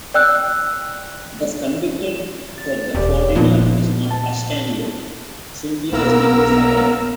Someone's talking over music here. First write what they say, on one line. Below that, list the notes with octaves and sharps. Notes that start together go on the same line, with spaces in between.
Thus convinced that the foreigner is not Ascanio, Silvia is deeply saddened.
D5 G5 E6 F#6
A6
E1 G4 D5
A#2 F3 B3 D4
A5
B1 A#3 B3 A#4 A#5 E6